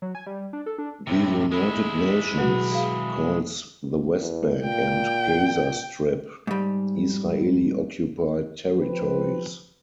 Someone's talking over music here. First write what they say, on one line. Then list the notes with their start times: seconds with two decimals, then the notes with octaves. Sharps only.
The United Nations calls the West Bank and Gaza Strip "Israeli-occupied territories".
0.02 F#3
0.15 G#5
0.26 G3
0.53 D4
0.66 A4
0.78 D4
1.07 A2 C3
1.51 G#3 E4
2.38 B2 F#3 F#4
2.71 G#4 F5
4.19 E2
4.63 A#2 G5
6.47 G#2 G3
8.76 F3 C4 B4